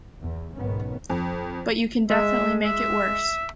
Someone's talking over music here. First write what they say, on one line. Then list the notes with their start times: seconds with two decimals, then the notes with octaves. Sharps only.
But you can definitely make it worse.
0.22 E2
0.56 B1 G#2 D#3 B3 C#4
1.10 F2
2.10 G#3 E5
2.65 E5